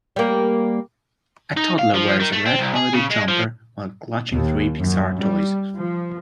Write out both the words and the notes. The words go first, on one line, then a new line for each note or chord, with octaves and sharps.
A toddler wears a red holiday jumper while clutching three Pixar toys.
G3 A#3
D#4
F5
F3
D#3
A3
C4
C2
G#4
C#3
G#3
F3
D#2
F#2
G3
F3